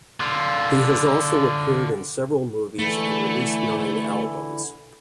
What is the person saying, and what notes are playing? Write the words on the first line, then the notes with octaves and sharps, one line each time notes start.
He has also appeared in several movies and released nine albums.
D3 F4
D3 E3 A3 E4